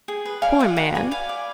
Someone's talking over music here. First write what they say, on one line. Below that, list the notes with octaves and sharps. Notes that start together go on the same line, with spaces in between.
Poor man!
G#4
B4
D5 F5 G#5
B4 F#5
F#4 F#5
D5 G#5 B5
B4 F5 G#5
D5